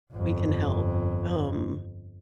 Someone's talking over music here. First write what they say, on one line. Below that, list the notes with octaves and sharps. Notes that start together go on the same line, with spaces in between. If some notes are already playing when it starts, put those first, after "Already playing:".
we can help, um
G1 F2